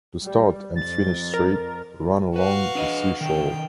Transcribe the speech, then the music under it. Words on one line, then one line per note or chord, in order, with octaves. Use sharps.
The start and finish straight ran along the sea shore.
G3
F2 A6
A#4
F#4 B4 F5
D4 B4 D#5
D3 D#3 G5